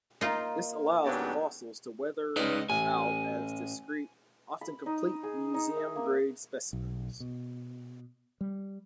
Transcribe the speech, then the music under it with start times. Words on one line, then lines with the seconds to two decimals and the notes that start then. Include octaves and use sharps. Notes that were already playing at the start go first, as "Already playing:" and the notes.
This allows the fossils to weather out as discrete, often complete museum-grade specimens.
0.21 A#3 D#4 F4
1.05 G#2 C#3 F#3 B3 D4 G4
2.36 C#2 D#4 B4 D5 D#5
2.70 A1 G#5
4.61 B5
4.86 D#4
5.23 G#4
5.54 D#4
5.76 E5
5.96 A#3
6.73 B1
7.20 B2
8.41 G3